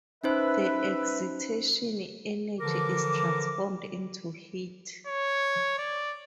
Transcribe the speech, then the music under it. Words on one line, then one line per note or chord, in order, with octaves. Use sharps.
The excitation energy is transformed into heat.
C#4 D#4 B4 C5 E5
D3 E3 F3 A#4 D6
C#5
D5